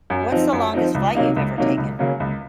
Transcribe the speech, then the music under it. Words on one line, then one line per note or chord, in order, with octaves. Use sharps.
What's the longest flight you've ever taken?
F#2
F3 C4 D#4
F#2
F3 C4 D#4
C#2
C3 F#3 A#3 D#4
C#2
C3 F#3 A#3 D#4
C#2
C#3 F#3 A#3 C#4
C#2